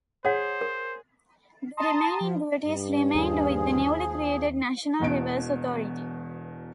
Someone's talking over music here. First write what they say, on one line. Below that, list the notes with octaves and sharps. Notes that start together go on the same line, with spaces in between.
The remaining duties remained with the newly created National Rivers Authority.
G#4 C5 C#5 F#5
A#4
A5 A#5 C6 D#6
F3
G2
D#2 F3 G#4
E1 E2 B2 D7